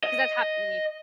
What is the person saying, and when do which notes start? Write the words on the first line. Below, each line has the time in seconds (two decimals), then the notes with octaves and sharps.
'cause that's happened to me
0.03 D#5